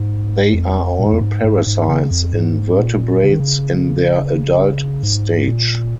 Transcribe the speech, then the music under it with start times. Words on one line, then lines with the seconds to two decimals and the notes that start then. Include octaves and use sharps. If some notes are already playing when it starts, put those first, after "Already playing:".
They are all parasites in vertebrates in their adult stage.
Already playing: G#2
0.54 F2
0.99 A#2
1.06 G#2
1.13 F2
1.21 G#2
1.44 G#2
1.67 G#2
1.88 C#3
2.11 F2
2.33 G#2
2.79 A#2
3.23 C#3
3.32 D#3
3.40 C#3
5.03 G#2
5.48 A#2